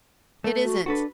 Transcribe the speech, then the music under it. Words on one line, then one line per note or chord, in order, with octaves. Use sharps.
It isn't....
A3
F#4
D4 F#4 A4 B4